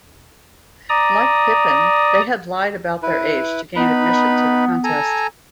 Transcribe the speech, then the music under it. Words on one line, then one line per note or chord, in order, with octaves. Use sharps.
Like Pippin, they had lied about their age to gain admission to the contest.
D5 A#5 D#6
E4 B4
B3 D#4 B4 B5
A4 G#5 A#5